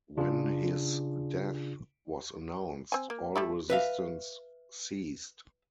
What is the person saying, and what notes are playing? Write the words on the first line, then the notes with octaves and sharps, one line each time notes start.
When his death was announced, all resistance ceased.
C#3 D4 F4 G#4
C4 G#5
A#3
G3 A3 E4
B4 E5 F5